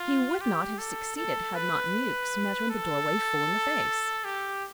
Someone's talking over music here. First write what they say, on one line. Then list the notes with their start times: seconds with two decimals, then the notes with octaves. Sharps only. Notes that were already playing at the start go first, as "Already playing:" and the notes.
He would not have succeeded had not Mewks met her in the doorway full in the face.
Already playing: F4
0.41 G4
0.78 A4
1.16 A4
1.55 B4
2.70 A4
4.25 G4